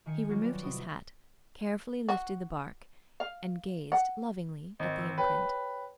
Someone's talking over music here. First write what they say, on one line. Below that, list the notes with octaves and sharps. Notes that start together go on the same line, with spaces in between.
He removed his hat, carefully lifted the bark, and gazed lovingly at the imprint.
D#3 G#5 C#7
F#3 G3 C#4 F4 C#5
B4 D5
C3 E4 F#4 D#6
F#4
F5
F#5
G#1 D#5
E6
G4 B4 C#5 G5